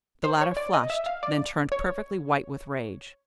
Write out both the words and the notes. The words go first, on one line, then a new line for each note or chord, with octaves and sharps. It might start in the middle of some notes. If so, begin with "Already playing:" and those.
The latter flushed, then turned perfectly white with rage.
C5
C#5
D5
D#5
E5
F5
D5
C#5